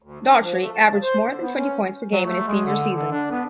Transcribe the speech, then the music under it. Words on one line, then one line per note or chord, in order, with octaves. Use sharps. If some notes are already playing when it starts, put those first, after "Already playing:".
Daugherty averaged more than twenty points per game in his senior season.
D2
D4
F3
A3
A5
C#3
C5
D3
B3
C#4
F#3
A3
G#3
D3
D3
D4
B3